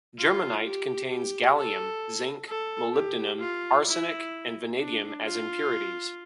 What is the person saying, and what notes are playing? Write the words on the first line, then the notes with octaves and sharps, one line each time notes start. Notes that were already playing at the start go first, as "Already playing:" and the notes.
Germanite contains gallium, zinc, molybdenum, arsenic, and vanadium as impurities.
F4
G4
G4
A4
A4
G4
F4
E4
D4
F4